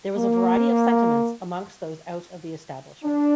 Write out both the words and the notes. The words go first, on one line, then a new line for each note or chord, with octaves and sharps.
There was a variety of sentiments amongst those out of the establishment.
A#3
D4